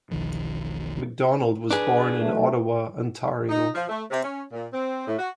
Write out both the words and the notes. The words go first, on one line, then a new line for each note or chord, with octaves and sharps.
Macdonald was born in Ottawa, Ontario.
E1 B1 D#3 F3
D4 G#4 B4
F#3 A3
D#4
F3
A3
C3
C#4
A#2
C4
A2
F#4